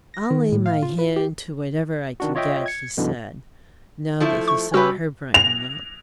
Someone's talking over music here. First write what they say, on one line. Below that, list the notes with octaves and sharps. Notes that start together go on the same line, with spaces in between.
"I'll lay my hand to whatever I can get," he said, now that he saw her brighten up.
A#6
D#3
A2
F5
F4
B4
G4
D#3 D4 F#4
F4 C#5 D#5 E5 G5
G#6 C#7
F#2 B2 D3 E3
F3 A3 E4
C#6
G3 C#4 F#4 G4 B4 E6
F7